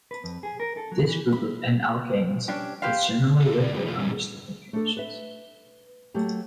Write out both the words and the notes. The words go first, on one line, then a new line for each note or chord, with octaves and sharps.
This group of n-alkanes is generally liquid under standard conditions.
B4
F2
G#4
A#4
A4
F#3
E3
B5
C#4 D4 G4
G4 B4 C5 F5
C3 E3 C#4 G#4 A4
A2 B4 D5
A2 D3 F#3 G3
E3 A3 F4
A#2 D3 D#3 G#3 C4
A3 D4 A4
B4 E5
F#3 A3 A#3 G4